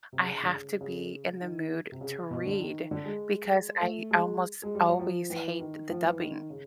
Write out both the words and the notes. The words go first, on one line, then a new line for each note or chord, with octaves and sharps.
I have to be in the mood to read because I almost always hate the dubbing.
C3
C#3
D3
C#3
C#3
D#3
C3
C#3
B2
D3
D#3
D3
G#3
A3
G#3
G#3
G3
F#3
F3
E3
D#3
F3
E3
D#3
C#3